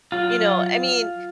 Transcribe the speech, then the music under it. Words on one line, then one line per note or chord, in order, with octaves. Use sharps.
you know I mean,
F#3 F4
F#3